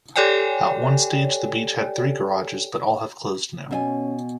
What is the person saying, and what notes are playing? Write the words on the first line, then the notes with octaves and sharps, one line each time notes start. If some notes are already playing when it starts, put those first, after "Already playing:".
At one stage the beach had three garages but all have closed now.
G4 A4 C#5 D5 G5 G#5
B2 C#4 E5 G#5